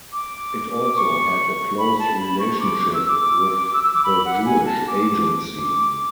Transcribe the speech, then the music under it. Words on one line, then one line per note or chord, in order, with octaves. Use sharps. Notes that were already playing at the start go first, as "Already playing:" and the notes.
It also had a close relationship with the Jewish Agency.
D6
D6
C#6
B5
A5
B5
C#6
D6
D6
E6
D6
D6
E6
E6
D6
B5
F#5
G#5
A5
D6